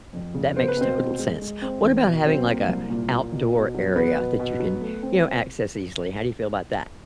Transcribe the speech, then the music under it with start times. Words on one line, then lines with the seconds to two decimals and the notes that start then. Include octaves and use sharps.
m that makes total sense. What about having, like, a outdoor area that you can, you know, access easily, how do you feel about that?
0.13 F2
0.35 C#3
0.56 B3 C5
0.68 B4
0.77 B2 C4 C5
0.98 B2
1.19 G#3
1.42 G#3
1.62 C4
1.84 E2
2.04 B2
2.26 F#3 C4 C5
2.47 A#3
2.68 C2
2.90 A#2
3.12 A#3
3.33 B2
3.54 B2
3.75 F#3
3.96 B3 B4
4.18 B2
4.40 B2
4.60 F#3
4.81 A3
5.03 C4